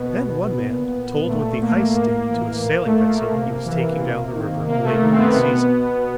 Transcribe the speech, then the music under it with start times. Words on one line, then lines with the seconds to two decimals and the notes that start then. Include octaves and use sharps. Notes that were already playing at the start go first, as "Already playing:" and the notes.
Then one man told what the ice did to a sailing-vessel he was taking down the river late one season.
Already playing: B2 B3
0.60 A#2
1.27 A#2 A3
1.45 A3
1.62 A#3
1.79 A3
1.96 A2 A#3
2.18 A#3
2.30 E3
2.41 A#3
2.64 A#2 A#3
2.86 A3
3.09 A#3
3.32 C3
3.66 E3
4.00 C3
4.34 D#3
4.68 C3 A#3
4.84 A3
5.01 D#3 A3
5.12 C4
5.19 B3
5.36 B2 B3